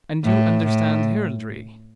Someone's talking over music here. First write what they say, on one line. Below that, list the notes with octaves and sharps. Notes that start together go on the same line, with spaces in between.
"And you understand heraldry?"
A2
A2